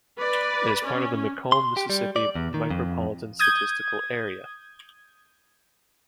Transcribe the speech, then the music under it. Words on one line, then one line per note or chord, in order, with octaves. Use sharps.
It is part of the McComb, Mississippi Micropolitan Statistical Area.
B4 D5
C#4
C6
G4
G3
D5
E2
D#3
F2
D#6 G6 G#6